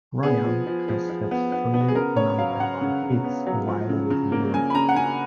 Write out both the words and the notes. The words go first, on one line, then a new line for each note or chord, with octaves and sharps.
Ryan has had three number one hits while with Blue.
B3 G#4
F3
F3
F3
F3
B3
B3
B3
F#4
G#4
C#3 A#4
C#3 C#5
F#3 F5
C#3 F#5
C#3
C#3
B3
F#3
F3
C#3
C#3
A#3
C#3 G#5
B5
C#3 A#5
F#5
C#3 G#5